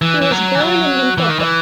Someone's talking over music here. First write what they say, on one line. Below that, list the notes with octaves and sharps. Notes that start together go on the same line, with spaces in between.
He was born in Limpopo.
E3
E3
F#3
E3
F#3
E3
D#3
E3